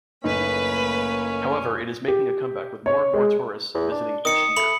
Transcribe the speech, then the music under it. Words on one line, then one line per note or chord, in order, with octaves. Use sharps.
However, it is making a comeback with more and more tourists visiting each year.
F#1 A2 A#3 C#4 D#4 B4 B5
G4
C#5
G#3
E2
D4
D#3 D#6 C#7
A3 B5 C#7 F#7